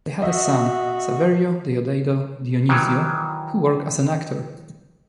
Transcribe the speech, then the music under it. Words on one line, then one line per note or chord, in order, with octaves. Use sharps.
They had a son, Saverio Deodato-Dionisio, who worked as an actor.
F#4 D#5 E5
D#3 E3 F#3